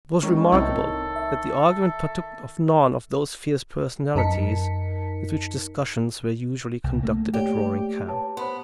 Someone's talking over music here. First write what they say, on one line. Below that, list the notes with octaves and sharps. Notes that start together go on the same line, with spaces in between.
It was remarkable that the argument partook of none of those fierce personalities with which discussions were usually conducted at Roaring Camp.
D#3 G#3 C#4 E4 C#5 A#5
C2 C4 D#4 E4 A4
E5
F#2 D#4 A#4 A5 B6 C#7
C2
A3 A#3
G4 C#5 D5
B4 C#5 A5
B3 C5 B5 C6